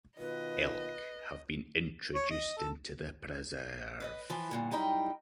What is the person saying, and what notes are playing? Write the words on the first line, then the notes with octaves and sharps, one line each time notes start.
Elk have been introduced into the preserve.
B2 D#3 F4 B4 D#5
C#5
D#5
A4
B4 C#5 D#5
E3 F3
G2 A#2 D3
F#2 G3 D#4 E4 D#5 G5